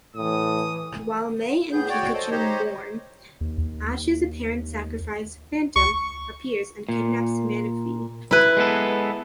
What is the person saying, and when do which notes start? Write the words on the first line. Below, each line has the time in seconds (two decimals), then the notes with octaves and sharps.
While May and Pikachu mourn Ash's apparent sacrifice, Phantom appears and kidnaps Manaphy.
0.16 A2 E3 D#6
1.72 A2 B3 G#4 G6
1.89 F#4 C#5 D5 G5
2.14 A4 C5 D#5
2.31 D#4 G4 C5 C#5 D#5
3.41 D#2
3.58 D#2
5.76 C#2 C#6
6.89 A#2
8.31 E4 B4
8.57 G#3 B3 A4